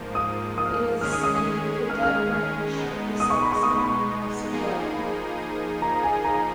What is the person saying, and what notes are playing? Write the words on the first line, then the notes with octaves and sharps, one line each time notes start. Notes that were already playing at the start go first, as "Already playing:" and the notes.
It is a cadet branch of the Saxon House of Wettin.
Already playing: G#2 F3 A#3
D#6
D#6
F6
D#6
D#3 G#3 C#4 G#4 F6
D#6
D#6
D#6
F6
F6
F6
B2 G#3 B3 D#4
D#6
C#6
B5
C#6
D#6
C#6
B5
C#6
F3 A#3 D#4 G#4
B5
A#5
G#5
A#5